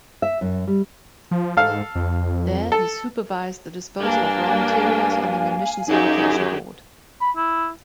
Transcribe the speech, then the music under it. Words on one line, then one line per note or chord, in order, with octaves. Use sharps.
There he supervised the disposal of raw materials on the Munitions Allocation Board.
E5
F#2
G3
F3
G#2 A4 F5
F2
A4
G2 A#3 D4 F5 G#5
F#2 F#3 D#4 G4 G#4
B5
E4